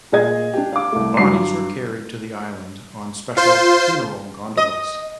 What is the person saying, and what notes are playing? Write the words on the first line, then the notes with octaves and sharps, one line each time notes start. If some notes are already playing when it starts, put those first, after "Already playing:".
Bodies were carried to the island on special funeral gondolas.
A#2 G#4 D#5 G#6
D4 G4
F5 D6
C2 A3
G2 F#3 D6 C7
F4 C5 C6
D#5